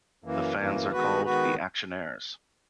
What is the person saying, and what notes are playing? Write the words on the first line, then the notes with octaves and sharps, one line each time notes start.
The fans are called the "Actionnaires".
F#2 E3 A#3
F#2 E3 A#3
D#3 G#3 B3 F#4 B4
D#3 G#3 B3 F#4 B4